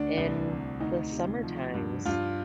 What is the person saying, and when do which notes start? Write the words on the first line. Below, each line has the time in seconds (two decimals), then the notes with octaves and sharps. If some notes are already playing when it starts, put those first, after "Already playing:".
in the summer times.
Already playing: D2 D4
0.17 C2
0.49 C3
0.80 D2 D#4
1.11 C3
1.43 F3
1.74 G2
2.06 G2 F4